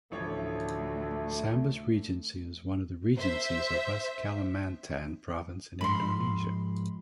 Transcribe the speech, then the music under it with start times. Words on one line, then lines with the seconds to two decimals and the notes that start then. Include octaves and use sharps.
Sambas Regency is one of the regencies of West Kalimantan province in Indonesia.
0.12 A1 D2 F3 A3 C#5
3.16 C5 E5
5.81 G#2 F3 G#3 B5 C6